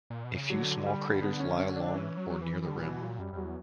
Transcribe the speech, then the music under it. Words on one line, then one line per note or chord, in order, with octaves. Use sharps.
A few small craters lie along or near the rim.
A#2
B2
C#3
D3 F#3
G3
B3
C#4
C#4
D4
D4
E3 C#4
F#3
F#3
E3
D3 G3
A#2
B2 E3
A#2 F#3
F#2 G3
F#2 G3
E2 F#3